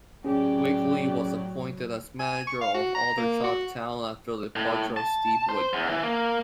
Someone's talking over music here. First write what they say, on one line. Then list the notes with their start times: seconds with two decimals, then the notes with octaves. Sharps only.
Wigley was appointed as manager of Aldershot Town after the departure of Steve Wignall.
0.25 A2 F#3 C#4 G4 G#4 D5
2.19 G#5
2.47 C#6
2.61 F5
2.74 F#4
2.94 A#5
3.18 A#3
3.44 F#4
4.56 A2
4.97 A5
5.49 C5
5.73 E2
5.89 E3
6.03 A#3